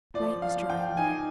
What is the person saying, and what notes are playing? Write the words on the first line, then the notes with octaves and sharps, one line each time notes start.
Night was drawing near.
F3 D5
F5
F3
G5
D#4 G#5